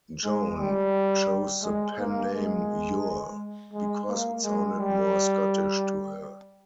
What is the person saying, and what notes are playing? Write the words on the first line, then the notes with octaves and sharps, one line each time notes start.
Joan chose the pen-name "Ure", because it sounded more Scottish to her.
G#3
G3
G#3
A#3
G#3
G#3
A#3
G#3
G3